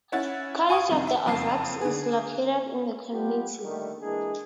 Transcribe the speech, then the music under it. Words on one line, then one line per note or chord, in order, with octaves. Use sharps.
College of the Ozarks is located in the community.
C#4 E4 F#5 A6
F5 G#5 C#6 D#6
F2 C3 D#3
E5
F#1 F2 A5 C7
D3 G#4
G3 B3 F4 G4
D3 D#3 G3 A3
E3 G#3 A#3 D4 G#4